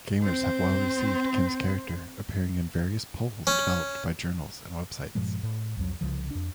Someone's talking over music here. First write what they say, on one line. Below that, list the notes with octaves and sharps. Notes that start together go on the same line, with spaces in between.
Gamers have well-received Kim's character, appearing in various polls developed by journals and websites.
C4 C5
C#4
G2 A#2 F3 G#3
A2
C2 F2 F#3
C2 C#3 F3
F2 D4